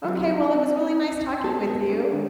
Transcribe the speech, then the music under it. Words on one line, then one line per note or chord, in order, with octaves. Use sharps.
Okay, well, it was really nice talking with you.
F#3 G3 C4
C4 C#4
B3 G#4 A4 C5 A5
G#3 A3 B3 A#4 B4 E5
C#4 D4
G#2 D#3